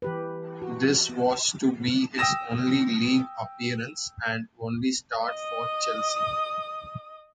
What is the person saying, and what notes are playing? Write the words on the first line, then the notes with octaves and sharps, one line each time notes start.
This was to be his only league appearance and only start for Chelsea.
E3 G4 B4
F#4
B3
G5 D#6 E6 A#6 E7
D#5 D#6